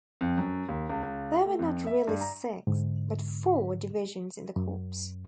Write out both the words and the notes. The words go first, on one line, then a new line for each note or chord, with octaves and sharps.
There were not really six, but four, divisions in the corps.
F2
F#2
D#2
C#2
C#2
A3
F2
E5
G2
A#5
G#2 D3
F#2